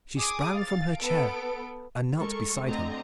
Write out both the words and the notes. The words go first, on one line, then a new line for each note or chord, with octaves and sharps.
She sprang from her chair and knelt beside him.
G#4 G#5 D6 D#6
F5 A6
B3 A4 D7
G#3 A4 A#4 C#6
D2 D3 C4 D#5 A#5